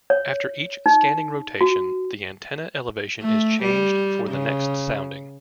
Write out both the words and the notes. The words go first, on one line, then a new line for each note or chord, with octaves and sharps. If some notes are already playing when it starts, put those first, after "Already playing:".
After each scanning rotation, the antenna elevation is changed for the next sounding.
C#5
D#4
F#4
A3
G3
C#3